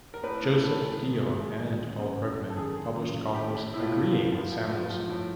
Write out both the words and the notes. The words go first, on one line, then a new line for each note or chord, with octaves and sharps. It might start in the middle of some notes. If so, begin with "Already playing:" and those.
Joseph Dionne and Paul Krugman published columns agreeing with Samuelson.
A#4
A2 B4
A2
A2 A4
E3
D#3
G#2
G#2
D#3
F#2
F#2
F#2
F#2
A4
D#3 G#4
F#2
D#3
D#3
A2 G4
A2
A2 E4
F4
E4
A2
F3
F3
F3
F3
F3
A2